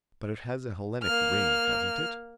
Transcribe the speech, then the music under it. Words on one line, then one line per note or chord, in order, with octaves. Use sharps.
But it has a Hellenic ring, hasn't it?
A#3 F6